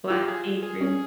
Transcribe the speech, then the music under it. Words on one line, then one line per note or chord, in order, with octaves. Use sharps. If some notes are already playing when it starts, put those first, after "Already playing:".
Black tea, green
F4 G4
G#4
G#4
C#4